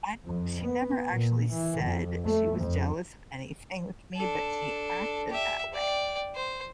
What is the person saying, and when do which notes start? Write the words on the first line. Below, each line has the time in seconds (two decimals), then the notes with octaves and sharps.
uh, I thought she never actually said she was jealous of anything with me, but she acted that way.
0.24 F2
0.63 B3
1.10 A#2
1.52 E3
1.82 F2
2.25 A3
2.57 F2
4.16 D4 A4
5.29 G4 E5
5.73 D5 G5
6.35 C5